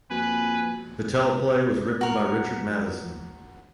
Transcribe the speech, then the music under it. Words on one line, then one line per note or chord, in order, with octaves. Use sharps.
The teleplay was written by Richard Matheson.
F2 F3 A#3 F#4 B4 G#5
F#4 A#4